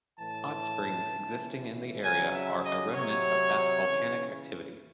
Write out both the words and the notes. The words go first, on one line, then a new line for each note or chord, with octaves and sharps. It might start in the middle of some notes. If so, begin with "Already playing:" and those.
Hot springs existing in the area are a remnant of that volcanic activity.
A2 E3 A5
C#3 E3
C#3 F#3 G#5
E5
D#5
C3 F#3 C#5
C#3 E3